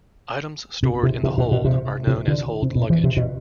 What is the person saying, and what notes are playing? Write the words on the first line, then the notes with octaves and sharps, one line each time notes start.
Items stored in the hold are known as hold luggage.
C3
C3
C3
B2
B2
C3
C3
D3
C3
B2
E3
C3
B2